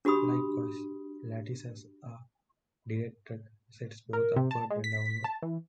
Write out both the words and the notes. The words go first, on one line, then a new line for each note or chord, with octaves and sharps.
Likewise, lattices are directed sets both upward and downward.
D4 F#4 G4 B5 D#6
A#4
C3
A5
G#3
B6
A5
E3